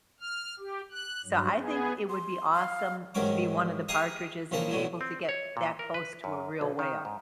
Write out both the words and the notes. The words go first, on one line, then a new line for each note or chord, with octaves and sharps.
so I think it would be awesome to be one of the Partridges, and be able to get that close to a real whale.
F6
G4
F#6
G2 F#3
B3 G#4
C6
F5
A1 G#2 D#3 F#3 C#4 D6
G4 G#4 D#5 F5 A#5 D#6
A#1 C#3 C4 D#4 A#4 A5
B1 A2 D3 F#3
C4
C#5
A#2
A#4
B4
F#2
B1
D#3
G#2